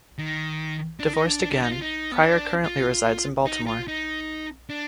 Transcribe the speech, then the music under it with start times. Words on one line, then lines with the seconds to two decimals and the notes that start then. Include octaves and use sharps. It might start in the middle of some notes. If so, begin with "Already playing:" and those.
Divorced again, Pryor currently resides in Baltimore.
0.18 D#3
1.00 D4
1.13 D#4
1.26 D4
1.41 D4
1.52 D4
1.62 D#4
1.72 F4
1.82 D#4
2.12 B3
2.23 D4
2.64 F4
3.46 D#4
3.67 F4
3.88 D#4
4.70 D4